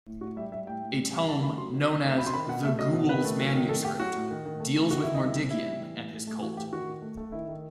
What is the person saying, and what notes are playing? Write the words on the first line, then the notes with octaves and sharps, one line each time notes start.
A tome known as "The Ghoul's Manuscript" deals with Mordiggian and his cult.
A2
A2 F#4
G3 E5
G3 E5
A2 G5
A2
G3
G3
D#3 A5
A3 B5
F#3 C6
D#3
D#3
A3
F#3 B5
C6
D#3 B5
B2 F#5
A3 E5
F#3 D#5
B2
D#3 B4
A3
F#3
D#3
A2 A4
A3 G4
F#3 F#4
A2
D#3
D#3
A3
A3
D#3 F#4
D#3 E4
D#4
G3
E4
G3
A2 E4
G3
E3
A2
A2
A3
E3 F#4
A2 G4
D#3 F#4
D#3
A3
A3
D#3 E4
D#3